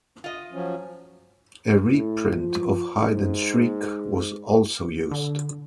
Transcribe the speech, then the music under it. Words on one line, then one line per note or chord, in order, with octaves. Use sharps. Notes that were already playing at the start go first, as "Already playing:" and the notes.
A reprint of Hyde and Shriek was also used.
F4 D#5
F3 F#3 C#4
A2
F3
G#2
D3